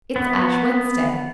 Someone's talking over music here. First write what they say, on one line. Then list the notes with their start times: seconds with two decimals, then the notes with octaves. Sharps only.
It's Ash Wednesday.
0.16 B3